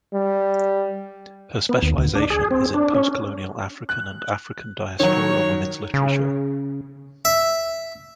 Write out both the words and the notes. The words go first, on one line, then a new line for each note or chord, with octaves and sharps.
Her specialization is in postcolonial African and African Diaspora women’s literature.
G3
B3
D#2
D2
D4
G#4
C4
D4
C#4
F#6
D#3 F#3 C#5
C#3
E5